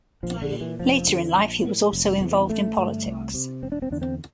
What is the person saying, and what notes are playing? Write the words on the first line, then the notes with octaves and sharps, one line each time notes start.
Later in life he was also involved in politics.
A#1 F3
D3
A#2
E3
F1 F3
F2 D3
A#1
A2
F1
E2 C3
A1 A3
G2 D3
C2
C3
E1 C4
D4
C4
E2 D3 D4
C4